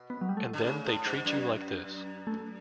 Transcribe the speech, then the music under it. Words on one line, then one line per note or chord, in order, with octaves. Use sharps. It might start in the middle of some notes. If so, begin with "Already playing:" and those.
And then they treat you like this.
Already playing: B2
B3
F#3
G3
A3
D3
C#3
A2
G2
F#2
A3